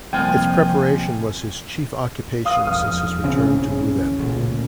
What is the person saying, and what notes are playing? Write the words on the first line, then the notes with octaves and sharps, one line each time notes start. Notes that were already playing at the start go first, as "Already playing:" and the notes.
Its preparation was his chief occupation since his return to Leuven.
C2 F2 F3 A#3 F4 G5 G#5
F5 D#6
E1 F2 F6
A#1 C#3 E3 C4
A1 A#2
D2 A#2